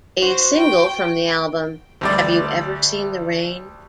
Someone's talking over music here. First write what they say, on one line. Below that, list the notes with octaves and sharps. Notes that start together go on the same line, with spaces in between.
A single from the album, Have You Ever Seen the Rain?
F#4 C5
G5
D2 G3 D5